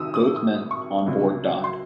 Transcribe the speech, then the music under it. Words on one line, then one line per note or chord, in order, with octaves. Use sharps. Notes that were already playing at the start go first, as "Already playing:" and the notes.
Both men on board died.
Already playing: C2 C3 D#3 D#6 E6
D#6
D#6
C#6
C#2 C3 F#3
C6